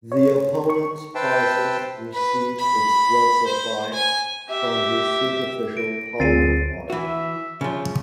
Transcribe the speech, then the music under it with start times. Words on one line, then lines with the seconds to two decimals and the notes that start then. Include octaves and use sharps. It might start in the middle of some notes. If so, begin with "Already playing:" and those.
The opponens pollicis receives its blood supply from the Superficial palmar arch.
0.12 C#5
0.70 C#6
1.15 B4 C5 E5 G5 A5
2.13 B4
2.59 B5
3.47 C5
3.93 G#5
4.49 G4 E5
5.77 A#6 D7
6.20 D2 C4 F4 G#4 A6 C7 D#7
6.90 E3 F#4 E5
7.61 C#3 F3